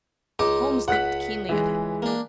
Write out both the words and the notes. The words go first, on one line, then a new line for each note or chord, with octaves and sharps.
Holmes looked keenly at him.
C#2 G#3 D#4 D6
C#2 F#5 F#6 B6
E3 G#3
A#3 D4